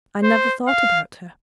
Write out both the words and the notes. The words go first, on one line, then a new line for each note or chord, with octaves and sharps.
'I never thought about her.
C5
F5